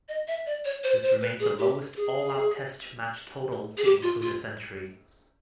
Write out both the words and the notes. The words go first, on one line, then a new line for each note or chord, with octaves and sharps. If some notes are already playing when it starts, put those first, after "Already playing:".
This remains the lowest all-out Test match total to include a century.
D#5
E5
D5
C#5
C5
C5
B4
G#4
G4
G#4
G#4
G4
F4
F4